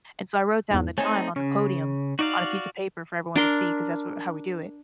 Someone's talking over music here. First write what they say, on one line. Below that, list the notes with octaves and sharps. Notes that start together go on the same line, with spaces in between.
And so I wrote down the time on the podium on a piece of paper for everyone to see 'cause that's what how we do it.
E2 G#2
A3 C4 D#4 C#5 G#5 A5
C#3 C#4
D#4 F#4 D5 F5
D4 A#4 C6